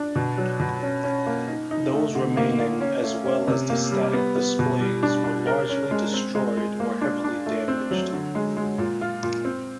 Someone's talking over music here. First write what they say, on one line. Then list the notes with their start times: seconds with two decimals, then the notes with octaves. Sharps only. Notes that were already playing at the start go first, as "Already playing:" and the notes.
Those remaining as well as the static displays were largely destroyed or heavily damaged.
Already playing: D4
0.15 B2
0.38 F#3
0.60 B2
0.83 C#4
1.04 C#4
1.26 A#3
1.48 D#4
1.71 D#4
1.93 A3
2.15 D3
2.37 A#3
2.59 A#3
2.81 C#4
3.03 A3
3.25 C#4
3.47 C3
3.70 A#3
3.91 G3
4.13 B3
4.36 B3
4.59 B2
4.80 G3
5.03 D4
5.24 D4
5.47 A#4
5.69 C#4
5.91 G#3
6.13 C4
6.35 G#3
6.57 G#3
6.80 A#3
7.01 D4
7.24 D4
7.46 A3
7.68 C4
7.91 F#3
8.13 D3
8.35 G#3
8.57 G#3
8.78 A#2
9.01 F4
9.23 A#2
9.45 C4